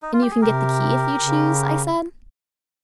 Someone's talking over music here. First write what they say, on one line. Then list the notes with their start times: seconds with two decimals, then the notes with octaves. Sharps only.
'And you can get the key if you choose?' I said.
0.02 D#4
0.13 F4
0.22 G4
0.31 G#4
0.41 C3 G4 A#4
1.20 C#3